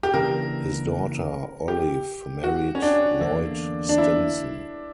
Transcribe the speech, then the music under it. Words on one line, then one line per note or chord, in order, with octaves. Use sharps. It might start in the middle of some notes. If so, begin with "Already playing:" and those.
His daughter Olive married Lloyd Stinson.
G4
C#3 E3 A#3 D4 A#4
G4
F#4
C#4
D4
E2 D3 A#3
D4
E4